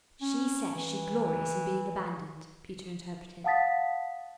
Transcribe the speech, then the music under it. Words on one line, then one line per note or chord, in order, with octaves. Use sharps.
'She says she glories in being abandoned,' Peter interpreted.
C#4
E3
F5 F#5 A5 D#6 A6 B6